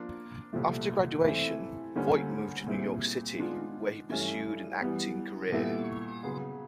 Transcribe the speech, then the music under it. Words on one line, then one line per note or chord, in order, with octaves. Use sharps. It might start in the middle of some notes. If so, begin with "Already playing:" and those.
After graduation, Voight moved to New York City, where he pursued an acting career.
Already playing: F3 A#3 D4 F4 A#4
C2 A#2 F3 A3
E3 A3 C4 E4 A4
D2 D3 G3 A#3 C#4
A#2 G3 C4 E4 G#4
D#3 G#3 B3 D4 F4
G2 E3 A3 C#4
E3 G3 B3
A#2 G3 B3 E4 A4
C#3 F#3 B3